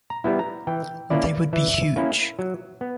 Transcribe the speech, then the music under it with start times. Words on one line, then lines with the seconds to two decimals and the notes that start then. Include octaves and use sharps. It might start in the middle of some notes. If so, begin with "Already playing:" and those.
They would be huge.
0.10 A#5
0.24 G3 B3 E4
0.39 A#5
0.67 E3 G5
1.10 A#3 C#4 E4 D5
1.53 E3 E5
1.96 A#3 C#4 E4
2.39 F#3
2.81 B3